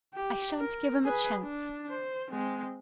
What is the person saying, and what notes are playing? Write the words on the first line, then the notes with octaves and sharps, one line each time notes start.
I shan't give him a chance.
G4
A#4
G#4 B4
D4
C5
G#3 C4